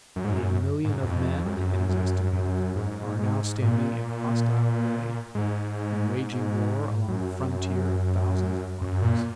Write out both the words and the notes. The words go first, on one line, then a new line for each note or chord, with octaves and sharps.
A million of men, it is estimated, are now standing in hostile array and waging war along a frontier of thousands of miles.
F#2
G#2
F#2
G#2
F#2
F2
F#2
F#2
F#2
G#2
G#2
A#2
G#2
F#2
F#2
A#2